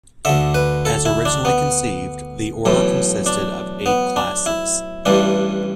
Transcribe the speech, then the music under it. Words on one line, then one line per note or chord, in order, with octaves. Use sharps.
As originally conceived, the order consisted of eight classes.
D2 D3 E5
B4
A4
E4
D4
B3
B1 A2 E3
D4
B3
D4
E4
A1 G2 E3 D4